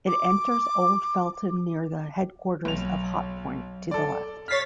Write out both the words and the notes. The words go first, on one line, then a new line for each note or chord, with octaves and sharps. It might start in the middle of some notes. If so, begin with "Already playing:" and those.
It enters Old Fletton near the headquarters of Hotpoint to the left.
D6
B1 F7
A4 D5
C#5 F6 A6 B6 C7